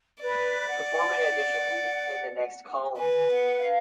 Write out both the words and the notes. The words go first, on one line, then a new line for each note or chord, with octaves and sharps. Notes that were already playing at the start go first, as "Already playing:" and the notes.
Perform an addition in the next column.
B4 D5
F#5
B4 G#5
F#5
F5